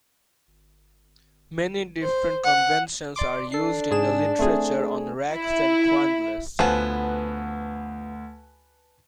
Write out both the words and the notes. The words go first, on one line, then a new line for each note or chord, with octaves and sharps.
Many different conventions are used in the literature on racks and quandles.
C5
F#5
D5 C6 D6
D4 A4 C7
G#2 G#4 E7
A3 C4 G#4
E4
D2 F3 B3 B4 G#5 A5